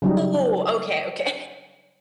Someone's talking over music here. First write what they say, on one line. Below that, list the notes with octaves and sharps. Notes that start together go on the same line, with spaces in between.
Oh, okay, okay.
C#3 F#3 G3 D#4